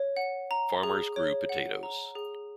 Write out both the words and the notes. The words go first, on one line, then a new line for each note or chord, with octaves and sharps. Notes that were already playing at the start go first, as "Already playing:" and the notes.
Farmers grew potatoes.
Already playing: C#5
F#5
A#5
G#4
C#5
F#5
A#5
G#4